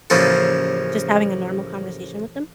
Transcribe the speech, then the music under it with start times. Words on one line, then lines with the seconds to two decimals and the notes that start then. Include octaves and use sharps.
Just having a normal conversation with them.
0.10 A1 C#3 F3 A#3 G#4 A4